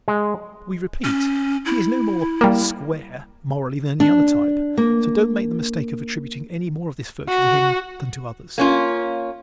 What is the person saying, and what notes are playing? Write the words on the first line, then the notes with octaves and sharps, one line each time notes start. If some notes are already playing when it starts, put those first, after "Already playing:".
We repeat, he is no more "square" morally than any other type, so do not make the mistake of attributing any more of this virtue to him than to others.
G#3
C#4
E4
G3 A#3
D4
A#3
F#4
A#3 C#4 F4